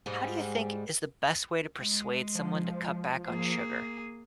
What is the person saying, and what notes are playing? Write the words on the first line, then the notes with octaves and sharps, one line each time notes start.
How do you think is the best way to persuade someone to cut back on sugar?
G#2 G3 G#3
G#3
F3
A#3 G#4